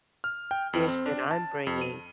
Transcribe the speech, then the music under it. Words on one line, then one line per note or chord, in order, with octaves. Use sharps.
dish that I'm bringing."
F6
G5
F2
C4
D4
A5
F2
D#7